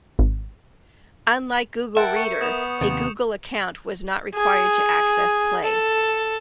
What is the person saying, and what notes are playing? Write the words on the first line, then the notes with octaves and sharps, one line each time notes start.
Unlike Google Reader, a Google Account was not required to access Play.
G#1
A#4 E5 F#5 G5 A5 G6
C#6 C#7
B3 D#6 E7 F7
D#2 C3
G#4
A4